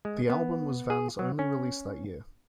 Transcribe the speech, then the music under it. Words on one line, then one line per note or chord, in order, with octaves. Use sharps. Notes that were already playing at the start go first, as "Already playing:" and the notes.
The album was Van's only release that year.
G#3
B3
G#4
F#3
C#4